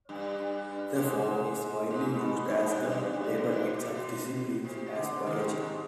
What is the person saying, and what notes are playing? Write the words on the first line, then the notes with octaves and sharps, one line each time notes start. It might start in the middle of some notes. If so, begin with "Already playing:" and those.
The form is widely used as a table in such disciplines as biology.
G2
B2
G#2
G#2
B2
B2
G2
G#2
G2
G#2
G2
B2
G#2
B2
C3
C3
D3
C3 D#3
G#2